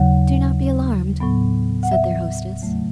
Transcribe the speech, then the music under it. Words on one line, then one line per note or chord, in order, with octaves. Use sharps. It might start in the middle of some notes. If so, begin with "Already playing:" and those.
"Do not be alarmed," said their hostess.
Already playing: D#2 C#3 F#3 F#5
A2 F#3 B3
F#5
E5
E2 C#3 F#3 A3